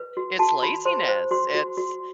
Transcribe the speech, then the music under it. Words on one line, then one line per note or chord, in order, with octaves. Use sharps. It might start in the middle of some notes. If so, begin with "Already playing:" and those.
it's laziness, it's
Already playing: B4
F#4
F#4 A5
F#4 B5
C5 C6
C5
F#4 C6
F#4
F#4